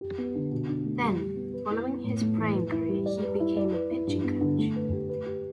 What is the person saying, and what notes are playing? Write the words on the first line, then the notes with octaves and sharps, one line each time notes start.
Then, following his playing career, he became a pitching coach.
G4
B3
D3
B2
D4
A3
G3
G4
B3
B4
E4
B3
A2
A3
E3
B4
E4
G3
D5
B4
E4
D5
B4
E4
G2
B3
D3
A3
B4
G4
B4
G4